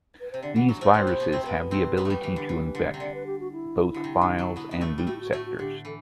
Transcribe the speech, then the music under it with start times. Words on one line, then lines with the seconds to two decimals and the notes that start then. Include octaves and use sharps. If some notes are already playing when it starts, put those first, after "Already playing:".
These viruses have the ability to infect both files and boot sectors.
0.20 B4
0.32 C3 C5
0.43 D3 D5
0.56 E3 F#5
0.69 F#3
0.81 A2 A3 C5
0.94 C3 C4 C5
1.07 B2 B3
1.20 B2 B3
1.32 C3 C4
1.45 B2 B3 B4
1.71 C3 C4
1.97 B2 B3
2.05 A3
2.10 G3
2.23 E3
2.36 D3
2.49 E3
2.75 D3
2.94 C3
3.00 D3 D5
3.14 B4
3.26 G4
3.40 F#4
3.52 E4
3.94 D3
4.04 C3
4.21 D3
4.39 F#3
4.56 B2 B3
4.71 B3
4.81 A2 A3
4.98 G3
5.07 A2 A3 F#4
5.15 E4
5.21 F#4
5.32 A2 A3 F#4
5.46 F#4
5.59 D3 G4
5.85 E3 A4